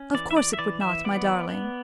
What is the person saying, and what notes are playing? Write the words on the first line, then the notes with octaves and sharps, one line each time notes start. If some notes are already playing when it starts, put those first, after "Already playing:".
"Of course it would not, my darling."
Already playing: C#4
E3 D5
E5
D5
E5
E3 D5
E5
B3 D5
B3